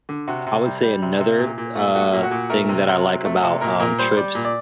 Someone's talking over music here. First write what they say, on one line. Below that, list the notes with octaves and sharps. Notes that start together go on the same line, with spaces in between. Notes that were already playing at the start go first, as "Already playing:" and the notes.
I would say another, uh, thing that I like about, um, trips
D3
C3 F#4
C3
G3
G3
C3
C3
A#2
A#2
A3
A3 F#4
A#2
F#4
A#2
A3 A#4
C3
C3
F#3
A3
C3
A#2 A#4
A#2 A#4
G3 C5
G3 D5
A#2
D5